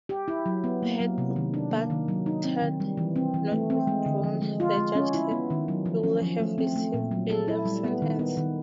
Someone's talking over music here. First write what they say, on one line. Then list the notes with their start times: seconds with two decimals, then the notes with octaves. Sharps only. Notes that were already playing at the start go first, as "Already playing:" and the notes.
Had Badat not withdrawn, the judge said, he would have received a life sentence.
0.09 G4
0.28 E4
0.46 F#3
0.64 B3
0.83 A#3
1.00 F#3
1.18 C3
1.36 D#3
1.54 D4
1.72 A#3
1.90 D#3
2.08 F#3
2.26 D#4
2.44 C4
2.62 D#3
2.80 G3
2.97 E3
3.16 C4
3.34 E3
3.52 A3
3.70 C4
3.87 G#3
4.06 D3
4.24 F3
4.42 G#3
4.60 F4
4.77 G#3
4.95 C#4
5.14 E4
5.31 B3
5.50 D#3
5.68 F#3
5.86 F3
6.03 C#4
6.22 F3
6.40 A3
6.58 C4
6.76 A3
6.94 A#2
7.11 F#3
7.30 A4
7.48 E4
7.65 G3
7.84 B3
8.02 D#3
8.19 B3
8.37 D#3